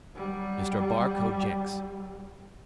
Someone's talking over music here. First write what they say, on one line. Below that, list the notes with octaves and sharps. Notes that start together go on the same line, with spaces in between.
Mr. Barcoe Jenks.
F#3 G3